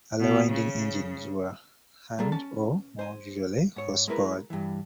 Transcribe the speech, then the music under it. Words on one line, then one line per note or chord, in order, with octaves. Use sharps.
Early winding engines were hand, or more usually horse powered.
B2
C#3
G3 A#3 G#4 A4
C#4 A5
C5 G#5
G#2 C#5
G#3 A#3 E4 A#4 B4
G2 E3